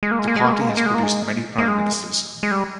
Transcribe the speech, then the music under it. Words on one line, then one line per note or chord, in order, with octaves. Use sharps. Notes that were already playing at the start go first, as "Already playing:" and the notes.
The party has produced many Prime Ministers.
G#3
A#3
G#3
A#3
G#3
A#3
G#3
A#3
G#3
A#3
G#3
A#3
G#3
A#3
G#3
G#3
G3